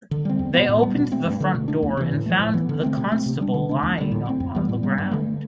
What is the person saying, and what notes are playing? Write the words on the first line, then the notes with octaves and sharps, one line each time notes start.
They opened the front door and found the constable lying on the ground.
D3
G3 C4
E2
B2 B3
A2
G3 B3
B2
A3 C4
G2
D3 A3
B2
A3 D4
E2
C3 E3
A2
F3 A3
A2
E3 B3
D3
A3 C4
B2
A3 C4
C3
G3 D4
D3
A3 D4
E2
D3 G3
A2
G3
C4
F2
E3 G3 B3
A2
G3 B3
G2
D3 A3